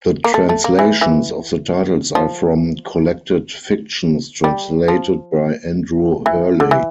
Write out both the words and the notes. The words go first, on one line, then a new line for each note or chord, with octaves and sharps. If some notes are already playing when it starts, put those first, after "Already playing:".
The translations of the titles are from "Collected Fictions", translated by Andrew Hurley.
A#3
A3
A3
A#3
E3
E3
F3
G3
F3
E3
D3
E3